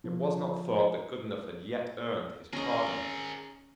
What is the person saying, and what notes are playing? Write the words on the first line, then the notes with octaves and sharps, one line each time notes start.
It was not thought that Goodenough had yet earned his pardon.
F3
C#4 G#4 A#4 D#5